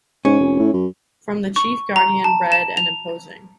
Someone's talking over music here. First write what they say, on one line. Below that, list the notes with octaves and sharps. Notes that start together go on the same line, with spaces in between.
From the chief guardian, red and imposing.
G#2 C#4
F1
A2
F#2
C#6
A#5
A5
E7
F7